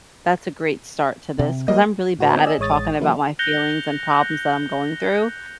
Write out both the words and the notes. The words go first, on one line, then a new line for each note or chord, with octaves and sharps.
that's a great start to this" 'cause I'm really bad at it talking about my feelings and problems that I'm going through,
C3
G3 A#3 D#5
A2 F#4 B4
B3 C4 D#4 C#5
D5 D#5 G#5 E6
A1 G#3 C#5 D#6 A6
E3 F#3 A#3 E4
F#6 G6 A#6 C#7 F7 G7